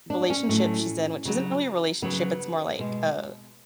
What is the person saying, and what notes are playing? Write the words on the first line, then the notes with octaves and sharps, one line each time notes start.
relationship she's in, which isn't really a relationship, it's more, like, uh,
D4
C#4
A2 F#3
C#3 F#3
C#3 F#3 B3
B2 G#3